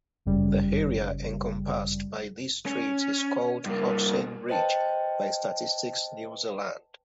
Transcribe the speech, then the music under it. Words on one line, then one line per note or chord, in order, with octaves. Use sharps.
The area encompassed by these streets is called Hobson Ridge by Statistics New Zealand.
G1 F#2 C#3 G3
C#4
G2 A#3
B4 C5 D#5 G5 A5